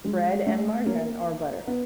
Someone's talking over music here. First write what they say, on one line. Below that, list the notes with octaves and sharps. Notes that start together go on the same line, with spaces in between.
bread and margarine or butter.
G#3
A3
A#3
B3